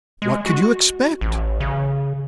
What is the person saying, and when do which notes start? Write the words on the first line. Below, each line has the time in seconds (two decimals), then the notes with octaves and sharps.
What could you expect?
0.22 G#3
0.46 F#4
1.21 A1
1.60 C#3